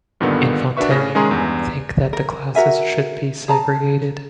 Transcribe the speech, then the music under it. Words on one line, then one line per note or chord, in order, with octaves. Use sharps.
Infante, think that the classes should be segregated.
G2 A#2 D3 D#3 B3
D4 F#4 A#4 B4 E5 C#6
A2 C#3 C#4 A#6
D#3 G#3 C#4 G#4 A#5 C6
E2 G2
A#4
F#4 A#4 E5 G#5
G#4 A5 A#5